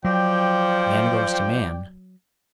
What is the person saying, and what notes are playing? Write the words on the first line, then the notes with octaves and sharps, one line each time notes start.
Man goes to Man!
F3 F#3 D5 G5